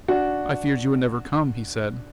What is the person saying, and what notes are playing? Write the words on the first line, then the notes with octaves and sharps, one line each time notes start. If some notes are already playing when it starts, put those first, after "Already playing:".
"I feared you would never come," he said.
D4 F#4